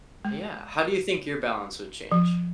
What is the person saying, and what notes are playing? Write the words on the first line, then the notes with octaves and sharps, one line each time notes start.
Yeah. How do you think your balance would change?
G#3
F3